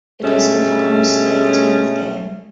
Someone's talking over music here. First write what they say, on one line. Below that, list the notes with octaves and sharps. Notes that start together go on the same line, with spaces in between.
It is Infocom's eighteenth game.
G2 B2 G#3 A3 C#4